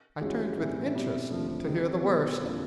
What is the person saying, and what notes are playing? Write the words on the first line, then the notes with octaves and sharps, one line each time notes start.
I turned with interest to hear the worst.
G2 E3 G#3 C#4 F#4
A2 E3 G3 C4
B2 G3 C4 E4
D#2 D3 F3 A3 C4
D#3 G#3 C4
B2 G3 B3
F2 D3 F3 A#3